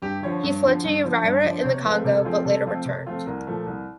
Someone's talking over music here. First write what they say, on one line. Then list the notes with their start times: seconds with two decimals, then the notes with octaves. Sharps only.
He fled to Uvira in the Congo but later returned.
0.02 G2 G4
0.23 D3 F3 C#5
0.43 G2
0.63 D3 F3
0.84 G2
1.04 D3 F3
1.23 G2 D5
1.44 D3 F3 D5
1.60 C5
1.64 C3 C#5
1.84 F3 A3 C4 F4 B4
2.04 C3 A#4
2.15 A4
2.25 F3 A3 C4 F4 G#4
2.35 G#4
2.45 C3 A4
2.65 F3 A3 C4 F4
2.85 C3
3.06 F3 A3 C4 F4
3.26 C2 A#4
3.47 A#2 F3 A3
3.66 C2